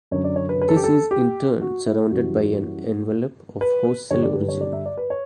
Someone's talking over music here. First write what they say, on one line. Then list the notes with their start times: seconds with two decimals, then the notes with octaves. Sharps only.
This is in turn surrounded by an envelope of host-cell origin.
0.11 F#2 D3 F#3 C#5
0.24 D5
0.36 C#5
0.49 B4
0.61 B4
0.69 A4
0.76 G4
0.84 A4
1.11 G4
1.62 F#4
1.86 E4
2.11 F#2 E3 G3 F#4
3.61 B4
4.11 G2 D3 G3 C#5
4.23 D5
4.36 B4
4.48 C#5
4.61 D5
4.73 E5
4.86 D5
4.98 B4
5.10 C#5